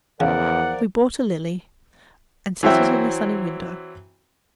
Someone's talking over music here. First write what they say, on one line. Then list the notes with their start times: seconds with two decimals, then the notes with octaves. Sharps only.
We bought a lily and set it in a sunny window.
0.20 E2 C#3 F3 A#4 D5 F#5
2.63 E3 F#3 C4 E5 G5